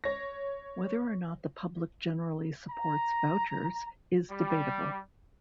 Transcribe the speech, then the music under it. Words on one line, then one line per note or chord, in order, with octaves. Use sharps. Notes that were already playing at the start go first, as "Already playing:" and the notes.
Whether or not the public generally supports vouchers is debatable.
C#5 A#6
A#5
G3